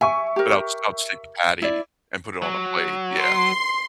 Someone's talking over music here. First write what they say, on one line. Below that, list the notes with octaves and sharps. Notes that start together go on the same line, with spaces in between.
but I'll just I'll just take the patty and put it on a plate, yeah.
E5 G#5 C#6
G4 A#4
E4 D5
F#3
C6